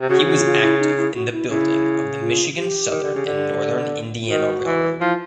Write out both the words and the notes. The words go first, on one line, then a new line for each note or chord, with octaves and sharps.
He was active in the building of the Michigan Southern and Northern Indiana Railroad.
C3
C#3 F#4
F#4
E4
F4
E4
D#4
E4
F#4
E4
C#3 E4
F4
G4
D#3
D3
C#3
D3
F4
D#3 F#4
E3
F3 E4